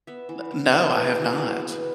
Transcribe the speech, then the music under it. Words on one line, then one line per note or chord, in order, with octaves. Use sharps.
N no, I have not.
B3 E5
E3
E3
B3 C#5
B4
B3
G#4
E3
F#4
E3 G#4
B3
B4